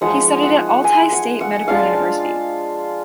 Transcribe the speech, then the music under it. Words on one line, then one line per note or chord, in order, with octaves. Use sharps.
He studied at Altai State Medical University.
F3 G#3 D#4 F#5
F#5
G#5
F#5
F#5
G#3 D4 F4 F5